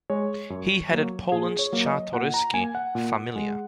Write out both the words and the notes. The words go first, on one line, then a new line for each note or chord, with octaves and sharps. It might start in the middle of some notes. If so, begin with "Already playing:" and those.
He headed Poland's Czartoryski "Familia".
G#3 C#5
F#2
F#3 A#3
A#2 G#4
C#5
F#3 A#3
D#5
A#2 F#5
A#5
A#3 G#5
F#5
A#2
G#3